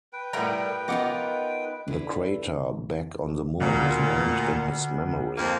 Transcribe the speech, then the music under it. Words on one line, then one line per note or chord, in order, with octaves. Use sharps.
The crater Back on the Moon is named in his memory.
B4 G5
A2 G3 A3 A#4 F#5 A#5
B3 D#4 F4 A#4 D#5 F#5 D6
D3 D4 E4 B4
D2 A#2
F2 F3 A#3